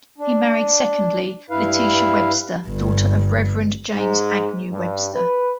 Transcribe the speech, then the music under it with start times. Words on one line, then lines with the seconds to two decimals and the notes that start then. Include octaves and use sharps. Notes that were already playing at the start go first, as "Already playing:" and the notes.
He married secondly Letitia Webster, daughter of Reverend James Agnew Webster.
0.18 D4
1.50 G2 E4 B4 F5
2.68 G1 G2
3.95 G#2
4.71 G2
5.14 B4